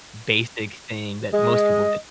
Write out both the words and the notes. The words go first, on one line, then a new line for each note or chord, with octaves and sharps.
basic thing that most people do
G#3 D#5